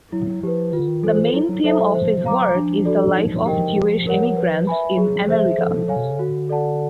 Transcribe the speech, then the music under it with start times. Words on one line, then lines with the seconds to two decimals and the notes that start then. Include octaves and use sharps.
The main theme of his work is the life of Jewish emigrants in America.
0.12 F#3 E4
0.43 F3 G4 B4
0.73 D#3 F4
0.80 D3
0.88 D#3
1.03 E3 A4 C5
1.34 F#3 E4
1.49 F#3
1.64 F#3 A4 C5 E5 A5
1.94 F3 C5
2.18 F3
2.24 F#3 F5 A#5 D6
2.55 F3 D4
2.85 F#4 A4 D5
3.16 D#4
3.46 G4 A#4 D#5 G5
3.77 G4
4.07 A#4 C#5 F#5
4.37 B4
4.67 E5 G#5 B5
4.97 F#3 G#4
5.27 F3 C5 E5
5.58 F3 A4
5.88 F#3 C#5 F5 G#5
5.97 B2
6.04 C3
6.11 C#3
6.18 D3 F#4
6.49 A4 D5 F#5 A5